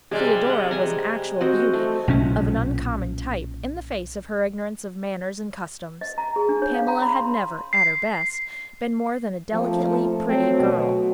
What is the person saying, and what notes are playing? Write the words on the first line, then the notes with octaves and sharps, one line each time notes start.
Theodora was an actual beauty, of an uncommon type, in the face of her ignorance of manners and customs. Pamela had never, at her best, been more than a delicately pretty girl.
C3 G3 G#3 G#4 G#5
D#5 F#5
G#4 G#5 A#5
C4 F#4 D#5
A3
B1 A#2 C#4
D#5
A#5
G#4
D4
C#5
F5
A#5
B5
C6
C7
F3 A3 A#3 C4
A5 C6 C#6
F#3 C4
B2